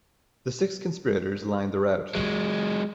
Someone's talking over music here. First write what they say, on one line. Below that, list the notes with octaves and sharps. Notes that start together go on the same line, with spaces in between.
The six conspirators lined the route.
F#3 G#3